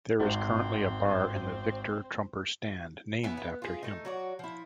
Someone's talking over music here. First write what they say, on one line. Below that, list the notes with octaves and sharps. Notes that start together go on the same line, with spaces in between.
There is currently a bar in the Victor Trumper Stand named after him.
G#1 C4
B3 E4 G#4
B3
F4 G#4
A3 D#4
F#3 F#4 D5
F3 E4